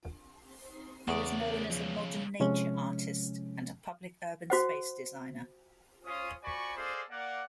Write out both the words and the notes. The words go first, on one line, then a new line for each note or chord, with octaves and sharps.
He was known as a modern nature artist and a public urban space designer.
E2 C#3 G#3 D5 F#5 C#6 D#6
A#4
D#2 B2 F3
C3 F3 G#3 C#4
F#4 C5 F#5
C#4 F4 D#6
F#4 D5 G#5 B5 C#6
G#4 A4 C5 D5 D#5 F5
A#3 D5 F#5